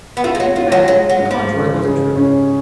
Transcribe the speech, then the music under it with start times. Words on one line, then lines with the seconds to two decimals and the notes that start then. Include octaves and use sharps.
In fact, the contrary was the truth.
0.17 B3
0.24 A3 F4
0.35 G#3
0.40 F#3
0.56 F#3 F4
0.72 F#3
0.88 F#3 G#3
1.10 F#3
1.20 G#2
1.31 F3
1.52 C#3
1.84 C#3
2.16 C#4